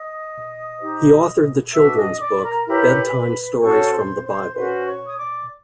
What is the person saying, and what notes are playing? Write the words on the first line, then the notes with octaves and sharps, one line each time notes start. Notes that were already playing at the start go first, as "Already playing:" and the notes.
He authored the children's book, "Bedtime Stories from the Bible".
Already playing: D#5 D#6
D#4 G4 C5
D4 F#4 B4 E5 E6
D#5 D#6
D#6
D5 D6
B5
A#4 A#5
E4 G4 A#4 B4 C#5 B5
C#4 F#4 A4 C5 C#5 C#6
C5 C6
C5 C6
C#4 F#4 B4 C5 C6
C#5 C#6
D#6
D5 D6